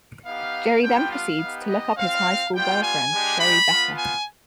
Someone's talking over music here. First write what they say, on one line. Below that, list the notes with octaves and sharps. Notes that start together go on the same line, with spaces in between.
Jerry then proceeds to look up his high school girlfriend, Sherry Becker.
B3 D#4 G4 F5
G3 B3 D4 F4 G5
F5
B3 D#4 G4
D#5
C4 F4 F5
G3 B3 F4 G5
G#5
G#3 D4 G4
B5
B3 F4
G#5